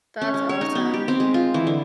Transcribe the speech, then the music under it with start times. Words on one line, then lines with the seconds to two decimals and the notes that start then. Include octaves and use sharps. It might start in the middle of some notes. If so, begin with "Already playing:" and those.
That's awesome.
0.21 C#4
0.34 G#3
0.49 C#5
0.61 D#4
0.75 B3
0.94 G4
1.08 C4
1.20 G#3
1.34 F4
1.54 E3
1.67 D3